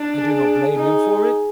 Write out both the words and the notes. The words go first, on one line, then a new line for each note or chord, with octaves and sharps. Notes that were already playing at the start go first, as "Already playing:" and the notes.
'I do not blame him for it.
Already playing: D4
G#4
D#4